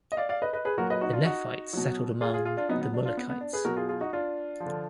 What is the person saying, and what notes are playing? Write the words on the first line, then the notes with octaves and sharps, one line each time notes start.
The Nephites settled among the Mulekites.
D#5
D5 F5
D5 F5
B4 D#5
B4 D#5
G#4 B4
A#2 F#3 F#4 A#4
B4 D#5
D#4 F#4
D4 F4
D#4 F#4
B2 F#3
F4 G#4
F4 G#4
F4 G#4
D4 F4
B2 F#3 B3 D#4
B3
D4
D4 F4
B3
B3
D4
G#4 B4
B2 F#3 F#4 A#4
F4 G#4
F4 G#4
D#4 F#4
D4 F4
F3
D3